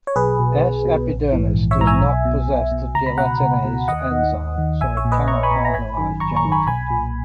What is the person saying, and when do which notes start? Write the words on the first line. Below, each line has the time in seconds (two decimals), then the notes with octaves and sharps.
"S. epidermidis" does not possess the gelatinase enzyme, so it cannot hydrolyze gelatin.
0.07 C#5
0.16 B1 G#4 B4
0.39 B2
0.63 B1
0.85 B2
1.09 A#1
1.33 G#2 E3
1.55 A#1
1.71 C#5 E5
1.79 G#2 E3 A#5
1.87 E5 G#5
2.02 B1
2.25 B2
2.48 B1
2.72 B2
2.95 C#2 A#5
3.06 B5
3.18 B2 F#5 A#5
3.41 C#2
3.65 B2
3.88 D#2 D#5 F#5
4.11 D#3
4.35 D#2
4.58 D#3
4.81 A#1 E5 G#5
4.97 C#5 E5
5.05 A#2
5.12 B4 D#5
5.28 A#1 A#5 C#6
5.43 G#5 B5
5.51 A#2
5.65 A#5
5.74 G#1 G#5 B5
5.98 F#2 D#3
6.20 G#1 A#5 C#6
6.36 A#5 C#6
6.44 F#2 D#3
6.52 G#5 B5
6.67 B1 G#5 B5
6.91 A#2